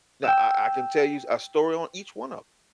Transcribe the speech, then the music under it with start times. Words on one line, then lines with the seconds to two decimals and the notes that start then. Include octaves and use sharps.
now I I can tell you a story on each one of
0.24 G5 E6